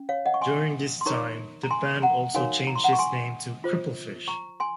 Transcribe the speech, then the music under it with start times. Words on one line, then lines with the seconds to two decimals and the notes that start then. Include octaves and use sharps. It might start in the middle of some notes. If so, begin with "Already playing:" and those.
During this time the band also changed its name to "Cripplefish".
Already playing: C#4
0.09 C#5 F5
0.26 D#5 F#5
0.34 C#6
0.41 G#5 C6
1.01 C6
1.06 D#4 A#4 C#5 A#5 C#6
1.63 A#5
1.71 G#5 C6
2.02 F#5 A#5
2.34 D#4 F#4 A#4 C#5 F5 G#5
2.67 A#5
2.75 C6
2.84 F#5 A#5
2.93 C#6
2.99 G#5 C6
3.64 F4 C5
4.28 A#5 C#6
4.60 G#5 C6